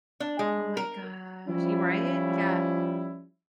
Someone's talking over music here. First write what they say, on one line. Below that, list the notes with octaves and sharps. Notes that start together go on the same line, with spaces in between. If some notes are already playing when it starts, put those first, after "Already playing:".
Oh my gosh y right? Yeah.
D4
G#3
A#4
F3 G3 C#4 E4